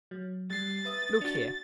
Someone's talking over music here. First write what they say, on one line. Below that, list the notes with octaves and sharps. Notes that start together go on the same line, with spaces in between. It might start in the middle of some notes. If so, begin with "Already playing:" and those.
Look here!
F#3
G3 A6 C7
B4 E5 D#6
D4 F#4